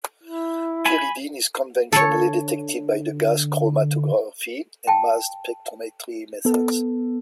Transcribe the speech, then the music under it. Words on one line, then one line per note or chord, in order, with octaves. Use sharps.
Pyridine is conventionally detected by the gas chromatography and mass spectrometry methods.
E4
G#5 B5
D3 A4 C#5
G5 A5
B3 A4